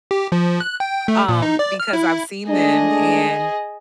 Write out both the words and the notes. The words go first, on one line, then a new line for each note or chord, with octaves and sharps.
um, because I've seen them, and
G4
F3
F#6
G5
A3
A#2
D#4
D5
F6
E4
G#3 A3 D4 G#4 D#5